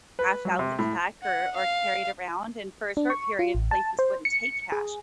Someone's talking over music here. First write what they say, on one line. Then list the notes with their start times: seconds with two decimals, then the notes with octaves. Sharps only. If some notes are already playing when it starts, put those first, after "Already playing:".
cash out the check or or carry it around, and for a short period, places wouldn't take cash
0.19 B4
0.45 F#3
0.59 C3
0.79 A2
1.23 F#5
1.57 F5
2.97 D4
3.10 C#6
3.39 F4
3.55 A1
3.71 A5
3.99 C5
4.25 C#7
4.72 G#4